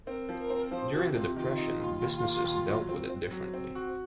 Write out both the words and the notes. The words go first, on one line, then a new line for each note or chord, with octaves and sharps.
During the depression, businesses dealt with it differently.
C4 A#4
F3
A#4
C4
F3 C5
C3 F#4
C3 F4
D#3 F4
D#4
D#2
D#2
A#3
D#2
F#3
C4
C4
F#3
C4
F#4